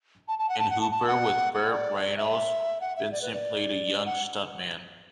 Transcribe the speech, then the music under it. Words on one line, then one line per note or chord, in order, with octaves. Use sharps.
In "Hooper" with Burt Reynolds, Vincent played a young stuntman.
A5
A5
F#5
A5
F#5
A5
A5
F#5
F#5
D5
E5
F#5
E5
D5
B4
D5
F#5